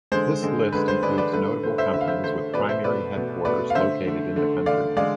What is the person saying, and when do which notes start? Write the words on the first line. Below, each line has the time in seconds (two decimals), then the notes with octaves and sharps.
This list includes notable companies with primary headquarters located in the country.
0.12 D3 G#3 C5
0.42 D3 G#3
0.72 D3 B4
0.75 G#3
0.88 C5
1.03 G#3 B4 D5
1.07 D3
1.18 B4 D5
1.33 D3 A3 B4
1.63 D3 A3 C5
1.78 C5 E5
1.93 D3 E5
1.97 A3 F5
2.08 C5 E5
2.24 D3 A3 C5
2.54 B2 A3 B4 D5
2.69 C5 E5
2.84 B2 A3 B4 D5
3.15 B2 A3
3.45 B2 A3 B4 D5
3.70 F5
3.75 D3 A3 C5 E5
4.06 D3 A3
4.36 D3 A3
4.66 D3 A3 D5 F5
4.96 D3 G#3 D5 F5